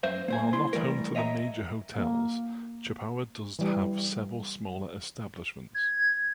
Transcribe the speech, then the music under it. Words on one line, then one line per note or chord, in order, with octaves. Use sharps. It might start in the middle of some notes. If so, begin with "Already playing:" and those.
While not home to the major hotels, Chippawa does have several smaller establishments.
F#2 C5 E5
A#3 C5 G#5
C2 E4 C6
E3 G3 A3 A#4
C#5 D#5 E5 G5 A#5
A#3
E3 G3
G#6